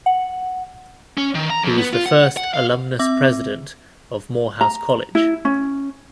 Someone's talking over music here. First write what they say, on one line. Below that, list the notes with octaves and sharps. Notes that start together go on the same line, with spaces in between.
He was the first alumnus president of Morehouse College.
F#5
C#4
D#3
A#5
F2
B3
F4
F#5
F#5
F5
C4 E5 D6
A#5
E4
C#4